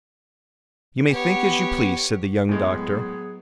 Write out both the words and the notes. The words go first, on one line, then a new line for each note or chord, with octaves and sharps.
"You may think as you please," said the young doctor.
B3 G4 C#5
A2 F#3 G#3 B3 G#4